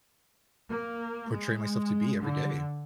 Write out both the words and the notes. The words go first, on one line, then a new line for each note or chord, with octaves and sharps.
portray myself to be every day.
A#3
G#3
D3